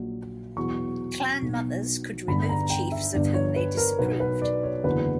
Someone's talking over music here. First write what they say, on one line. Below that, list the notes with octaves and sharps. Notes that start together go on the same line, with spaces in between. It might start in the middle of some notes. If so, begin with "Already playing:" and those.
Clan mothers could remove chiefs of whom they disapproved.
Already playing: A#1 A#2 F#3
E2 B2 F#3 C#6
B1 B2 F#3
G1 G2 D3 B5
A#5
G5
E5
G1 G2 D3 D5
C#5
B4
A#4
B1 B2 F#3 B4
B4
D5
C#5
F#1 E2 D3 F#3 B4